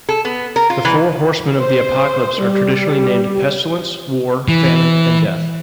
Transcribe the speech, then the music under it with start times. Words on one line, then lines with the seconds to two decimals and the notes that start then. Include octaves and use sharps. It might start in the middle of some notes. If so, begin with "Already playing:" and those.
The Four Horsemen of the Apocalypse are traditionally named Pestilence, War, Famine, and Death.
0.09 A4
0.25 B3
0.56 A#4
0.70 F4
0.85 E3
1.58 C5
2.41 G3
4.48 E3